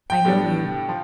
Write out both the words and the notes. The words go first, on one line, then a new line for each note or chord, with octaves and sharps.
I know you.
G5
A2 G3 B3 D4
F3